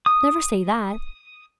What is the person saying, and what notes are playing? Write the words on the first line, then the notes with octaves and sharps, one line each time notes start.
Never say that!
D#6